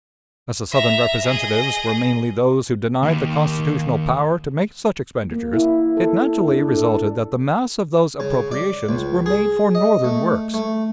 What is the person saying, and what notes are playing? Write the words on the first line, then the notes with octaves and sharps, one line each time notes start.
As the Southern representatives were mainly those who denied the constitutional power to make such expenditures, it naturally resulted that the mass of those appropriations were made for Northern works.
E5 A#5
G#4 D#5
D#2
A#3
E4
A4
D4
A4
C#3
D5
C#2
G#4
D#5
A3
A3